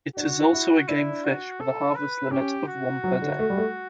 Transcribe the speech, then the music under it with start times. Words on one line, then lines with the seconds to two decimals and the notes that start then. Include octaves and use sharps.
It is also a game fish with a harvest limit of one per day.
0.16 D4 F#4
0.53 E4
0.88 D4 E4
1.25 F#4
1.60 A4
1.96 B4
2.31 C#4 G4
2.67 F#4
3.04 F#3
3.22 D3
3.39 A3
3.50 G3
3.57 A3